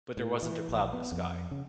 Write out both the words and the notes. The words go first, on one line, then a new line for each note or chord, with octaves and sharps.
but there wasn't a cloud in the sky
A2
E3
A#1
B3
F2
C#3